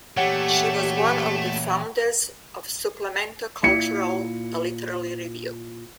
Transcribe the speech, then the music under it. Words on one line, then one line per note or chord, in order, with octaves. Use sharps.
She was one of the founders of "Suplemento Cultural," a literary review.
A#2 E3 A3 G4 C#5 F#5 G5
A#2 E4 C#7